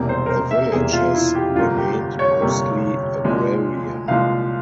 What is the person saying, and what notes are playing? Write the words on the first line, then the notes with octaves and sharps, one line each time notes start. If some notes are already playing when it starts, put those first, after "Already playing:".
The village has remained mostly agrarian.
Already playing: E1 E2 C3 G3 A#3
C5
A#4
C5
E5
E1 E2 C3 G3 A#3 G#4
F4
E4
G4
G1 F2 C3 G3 A#3 F4
G4
C#5
G1 F2 C3 G3 A#3
C2 A#2 F3 G#3
C2 A#2 F3 G#3 F5